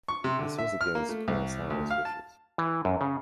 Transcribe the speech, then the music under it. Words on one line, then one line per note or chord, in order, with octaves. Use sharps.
This was against Kurosawa's wishes.
C#6
C3
D3
E5
F6
A#3
A3
C2
D2
F5
A5
E3
F#2
C#3